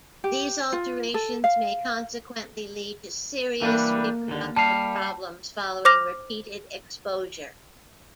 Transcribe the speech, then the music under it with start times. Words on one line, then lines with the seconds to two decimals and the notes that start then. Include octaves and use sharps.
These alterations may consequently lead to serious reproductive problems following repeated exposure.
0.24 G4
0.73 F4
1.14 A4
1.44 F5
3.62 E3 G3 A#3 D4
4.28 D#2 D3
4.56 G3 F5 A5
5.85 C5 D6 F6 A#6 F7